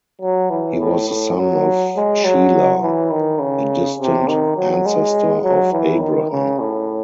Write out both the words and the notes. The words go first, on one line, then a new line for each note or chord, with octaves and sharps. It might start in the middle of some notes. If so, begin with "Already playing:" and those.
He was the son of Shelah a distant ancestor of Abraham.
F#3
E3
A2
A2
F#3
G#3
F#3
E3
D#3
C#3
C3
D#3
F#3
G#3
F#3
E3
D#3
C#3
A2